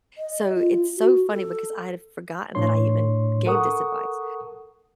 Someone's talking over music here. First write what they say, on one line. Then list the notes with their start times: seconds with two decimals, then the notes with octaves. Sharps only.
so it's so funny because I had forgotten that I even gave this advice,
0.18 D#5
0.55 F4
0.97 F#4
1.28 A4
2.55 A2 D4 C#5 C6
3.46 A4 A#4 F#5 C#6 D#6